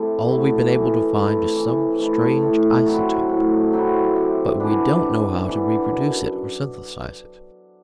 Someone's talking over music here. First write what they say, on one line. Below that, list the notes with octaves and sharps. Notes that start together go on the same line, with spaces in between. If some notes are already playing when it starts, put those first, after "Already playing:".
All we've been able to find is some strange isotope but we don't know how to reproduce it or synthesize it.
Already playing: C3 A3 E4
F#3 A3 E4
E3
A3 C4 E4
E3
A3 C4 E4
A2
F#3 C4 E4
A2
F#3 C4 E4
C3
E3 B3 D4
C3
E3 B3 D4
F#2